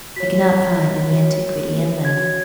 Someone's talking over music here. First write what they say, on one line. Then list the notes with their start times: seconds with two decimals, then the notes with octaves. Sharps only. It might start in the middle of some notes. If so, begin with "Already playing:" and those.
I cannot find any antiquity in them.
0.16 F#4 C#5 B6
1.10 F#4 C#5
2.05 F#4 C#5 G#6